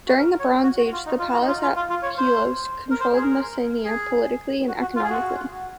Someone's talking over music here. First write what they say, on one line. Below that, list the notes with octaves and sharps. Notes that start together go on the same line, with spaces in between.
During the Bronze Age the palace at Pylos controlled Messenia politically and economically.
F#4
A#4
C#5
F#4
F#4
F4
D#4
F4
F#4
D#4
F4
F4
F4
F4
C#5
C5
A#4
C5
G#4
A#4
G#4
F#4
F#4
F4
G#4
F#4